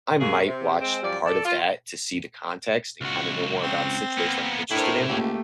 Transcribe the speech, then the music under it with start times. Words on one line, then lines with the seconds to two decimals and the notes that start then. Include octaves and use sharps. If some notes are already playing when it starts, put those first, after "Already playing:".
I might watch part of that to see the context and kinda know more about the situation I'm interested in.
0.20 C3 A#3 F#4 G#4
0.47 C3
0.80 G#3 C4
1.02 F#2 F3 G3 D5
1.26 A4 D5
1.44 F4
3.01 C#2 F#4
3.63 C4
4.17 A#3 B3
4.71 A2 D4 E4 A#4 C5 C#5
5.08 C#2 A3 A#3 G4